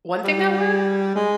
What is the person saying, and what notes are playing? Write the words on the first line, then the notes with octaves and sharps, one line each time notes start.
One thing that worked
G3
G#3